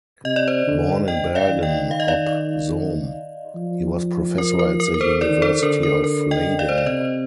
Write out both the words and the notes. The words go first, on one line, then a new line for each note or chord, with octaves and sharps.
Born in Bergen op Zoom, he was professor at the University of Leiden.
C3 D#5
D5
C5 D#5
D3
D#5 G5
D5 F5
D#3
D#5 G5
F5
D#5
D5 F5
F3
A#4
A#4
A#4
A#4
A4 C5
D#3 A#4 D5
A4 C5
D3 A#4
A#4
A#4
D#5 G5
D5 F5
C5
D5
C3 C5 D#5